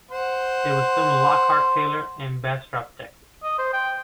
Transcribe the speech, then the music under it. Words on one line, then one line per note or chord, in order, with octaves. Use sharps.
It was filmed in Lockhart, Taylor and Bastrop, Texas.
C5 F#5 C6
D#5
C5
G5